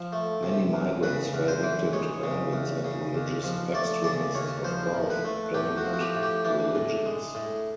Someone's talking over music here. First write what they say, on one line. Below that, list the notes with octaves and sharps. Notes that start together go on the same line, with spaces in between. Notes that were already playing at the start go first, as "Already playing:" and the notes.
Many migrants fell victim to bandits and religious extremists of both dominant religions.
Already playing: F3
A3
C3
E2
C#3 B4
E2
C5
E3
G#3 C#5
C#3
E2
C#3
D#2
F3
A3 D5
C#3 D5
D#2 C#5
F3 C5
A2
B4
A3
A2 G4
F#4
F3
F#4
G4
A2
G4
E3 D4
A2
G#3
A2